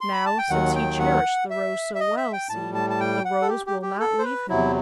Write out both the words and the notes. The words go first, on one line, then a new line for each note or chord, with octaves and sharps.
Now, since he cherished the rose so well, see, the rose will not leave him.
C6
B5
A5
G5
D#2 D#3 F#3 F#5
G5
F#5
E5
E5
D#5
E5
G5
A2 G3 A5
A5
A5
G5
F#5
A4
G4
G4
G4
A4
C5
B4
E2 C3 F#3 E4